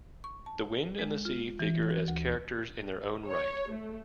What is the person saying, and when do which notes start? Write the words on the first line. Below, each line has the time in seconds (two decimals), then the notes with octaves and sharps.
The wind and the sea figure as characters in their own right.
0.24 C#6
0.46 A5
0.99 G#3
1.25 F4
1.59 E3
1.91 F#4
2.08 D2
3.27 C#5
3.71 A3